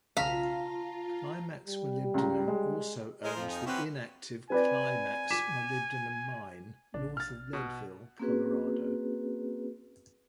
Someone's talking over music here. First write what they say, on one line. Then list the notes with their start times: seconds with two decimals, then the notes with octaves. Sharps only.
Climax Molybdenum also owns the inactive Climax molybdenum mine, north of Leadville, Colorado.
0.17 B1 C#3 F4 F5 A5 A#5 A#6 B6
1.67 G3
2.14 C#2 A#5
2.48 G#3
3.24 E3 G#3 A#4 C5
3.36 F2 F3
3.49 D#4 G#5
3.66 C3 E3 C4 C#4 F#4 G4 B4
4.50 C4 B4 D5 G#5
5.30 D6 B6 E7
6.94 A#1 D4
7.17 F6 A6
7.53 B2
8.20 A#3 C4 C#4 F#4 G#4 B4